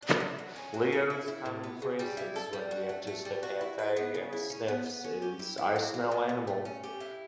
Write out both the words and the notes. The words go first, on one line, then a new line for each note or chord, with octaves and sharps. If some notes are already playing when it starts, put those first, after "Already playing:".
Leo's common phrases when he enters the cafe and sniffs is I smell animal!
D4
A3
F#3
C#4
F#3
E4
E4
E4
A2
B3
C#3
G3
E4
A4
G3
F#4
A3
A3
G3
F#4
E4
B4
B3
C#3
E4
C#4
B3
B3
C#4
G4
E4
E4
F#3
F#3
B2
B2
A3
C#4
G4
E4